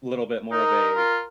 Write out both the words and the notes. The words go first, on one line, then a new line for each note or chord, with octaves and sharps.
little bit more of a,
D#4 A#4
F4